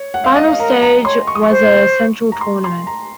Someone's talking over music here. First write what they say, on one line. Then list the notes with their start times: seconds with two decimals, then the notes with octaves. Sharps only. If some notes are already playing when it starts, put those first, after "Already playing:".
Final stage was a central tournament.
Already playing: C#5
0.14 F#5
0.24 F5
0.36 D#5
0.47 F5
0.59 A#4 A#5
0.82 A#5
1.05 C#5 C6
1.27 C#6
1.35 D#6
1.43 C#6
1.50 C5
2.32 A#5
2.41 C6
2.64 C6
2.87 A#5